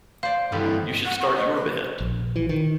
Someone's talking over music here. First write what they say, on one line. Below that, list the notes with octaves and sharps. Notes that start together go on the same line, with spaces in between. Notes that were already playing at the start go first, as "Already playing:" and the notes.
You should start your band.
C5 D5 F5
G2 D3 E3 G3 B3 E4 A4
F#5
C#6
D#5
B4
A#1
E3
D#3